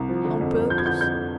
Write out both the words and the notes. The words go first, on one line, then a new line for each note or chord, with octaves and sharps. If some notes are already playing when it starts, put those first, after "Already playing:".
On purpose.
Already playing: C2
F3
D3
F2
F2
F3 G6
G#6
D3 G6
F2 G6